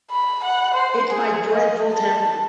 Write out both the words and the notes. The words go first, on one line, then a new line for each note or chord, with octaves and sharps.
It's my dreadful temper!
B5
F#5
C5
G#4
D#5
A5